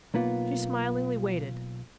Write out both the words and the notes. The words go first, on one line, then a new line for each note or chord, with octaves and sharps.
She smilingly waited.
B1 A#3 B3 F4